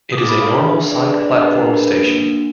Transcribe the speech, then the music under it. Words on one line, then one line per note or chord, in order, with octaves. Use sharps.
It is a normal side platform station.
D#6
B3 F4 G#4 D6
B5
F5
D4 G#4
B4
D4 G#4 D5
D5
D5
D4 G#4 D#5
B4
A#4
D4 G#4 B4
A#3 D4 F#4